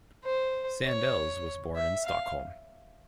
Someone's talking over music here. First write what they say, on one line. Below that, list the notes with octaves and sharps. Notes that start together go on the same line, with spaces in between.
Sandels was born in Stockholm.
C5
C#5
E5
F5